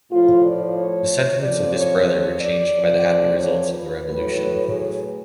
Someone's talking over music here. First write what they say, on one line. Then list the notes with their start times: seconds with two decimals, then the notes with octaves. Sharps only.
The sentiments of this brother were changed by the happy results of the revolution.
0.12 A2 F3 F4
0.45 D5
0.78 C#5
1.43 F2 F3 D5
1.76 C#5
2.08 C#5
2.41 D5
2.74 F2 F3
3.40 C#5
3.73 B4
4.05 A2 F#3 B4
4.71 G#4